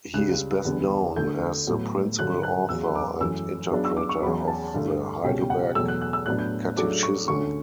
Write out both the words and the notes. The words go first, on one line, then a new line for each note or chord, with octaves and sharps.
He is best known as the principal author and interpreter of the "Heidelberg Catechism".
C#2 C#3 G3 F#6
E2 D3 G3 B3
D2 D3 A3 G6
A2 F#3 B3
G2 D3 F#3 A3 F#6
F#6
E2 C#3 F#3 E6
D6
F#2 E3 A3 E6
C#3 F#3 B3 D4
E6
D6
C#6
E2 C#3 F#3 B5
A5
G2 D3 A3
C#2 B2 G3 C#4 G5
F#5
E2 B2 F#3 A3 E6
F#6
F#6
E6
A2 F#3 B3 D4 F#6
G6
C#3 F#3 A3 D4 D6
C#6
D2 D3 A3 C#4 C#6